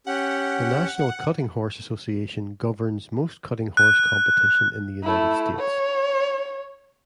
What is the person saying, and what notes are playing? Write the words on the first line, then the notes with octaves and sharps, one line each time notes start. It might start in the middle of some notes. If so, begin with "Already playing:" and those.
The National Cutting Horse Association governs most cutting horse competition in the United States.
C#4 G4 F#5
F#6
A3 E4
C#5